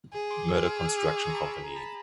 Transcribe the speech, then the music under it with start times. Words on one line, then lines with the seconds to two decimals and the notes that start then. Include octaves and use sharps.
Murdock Construction Company.
0.13 G#4
0.30 C6 D6
0.48 D6 E6
0.57 F6
0.66 D6 E6
0.82 D#6 F6
1.00 D6 E6
1.17 C#6 D#6
1.29 A#5
1.34 A5 B5
1.51 B5
1.64 A#5
1.76 A5 B5